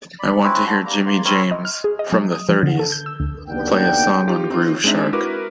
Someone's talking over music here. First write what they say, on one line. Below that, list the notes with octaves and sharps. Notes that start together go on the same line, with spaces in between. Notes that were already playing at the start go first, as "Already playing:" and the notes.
I want to hear Jimmy James from the thirties, play a song on Groove Shark.
D5 B5
C4 C#4 E4 B4
D4 E4 F#4 C5
G3 A#3 A#5
A#3 C6
C4 E4 A#4 C#5
D#5
F6
G#4
D#5
F#3
D#6
F3
D3
A4
G6
E6
D2
F#1 D#2 B3 D4 F#5 G5
D#4 F4 G4
C4 D#4 F4
G#3 C4 D4 D#4 E5
E4 F#4 A#4 B4 D6